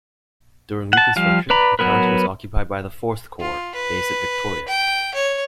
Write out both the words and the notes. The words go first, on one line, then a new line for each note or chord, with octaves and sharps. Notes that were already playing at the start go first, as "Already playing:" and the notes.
During Reconstruction, the county was occupied by the Fourth Corps, based at Victoria.
F#5 A5
F3 G3 F5
B4 D5 A#5 B5
F#3 B3 A#4 B4
F4
B4
G5
C#5